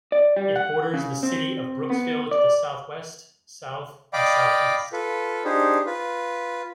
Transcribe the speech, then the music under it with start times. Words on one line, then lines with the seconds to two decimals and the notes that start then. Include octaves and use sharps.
It borders the city of Brooksville to the southwest, south, and southeast.
0.12 D5
0.36 G3
0.56 F#5
0.94 C#3
1.23 C4
1.90 B3
2.31 D5
4.13 D5 D#5 F5 G5 B5 D6
4.93 F4 A4 B4
5.45 D4 D#4 G4 G#4 C5
5.86 F4 B4